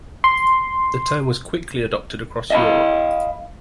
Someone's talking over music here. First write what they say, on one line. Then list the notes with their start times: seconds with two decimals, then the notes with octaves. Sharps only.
The term was quickly adopted across Europe.
0.24 C6
2.50 D#5 F5 G#5 B5